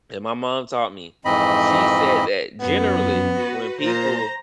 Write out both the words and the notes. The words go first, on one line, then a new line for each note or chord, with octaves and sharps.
that my mom taught me. She said that generally when people
F2 G#2 E3 C4 D#5 B5
F#2 B3
F#4 B4
A#2 C5 A#5